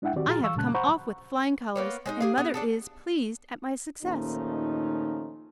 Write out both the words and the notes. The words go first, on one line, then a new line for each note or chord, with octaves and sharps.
I have come off with flying colors, and mother is pleased at my success.
G#3 D4 E4 E5 F#5 G5
D#3 C4 F#4 G4 D5
A#2 F#4 G#4 A#5 F6 A6
E3 F5 C#6 E6
A#2 C#3 G#3 C#4 A5 F#6
C5 F#5 A#5 B5 C#6 G6
A#3 B3 C#5
G#3 C4 D#4
G4 G#4 F5
B3 G#4
D4 G#4 A4
D#2 A#2 F3 A3 C#4 D#4